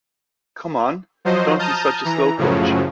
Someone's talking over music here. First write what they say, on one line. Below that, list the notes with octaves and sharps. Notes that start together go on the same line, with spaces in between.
Come on! Don't be such a slowcoach!
F3 F#3 C5 D#5
A5 A#5 D#6 F6 G6
E3 A#5
F#2 A2 C#3 F3 F#3